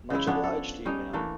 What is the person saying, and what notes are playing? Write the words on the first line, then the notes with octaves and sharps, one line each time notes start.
Much obliged to you, ma'am!
C#3 E3 G#3 E4
F3 B3 C#4 D4
A4
G3 C#4 D#4 D#5
E3 A3 A#3 D4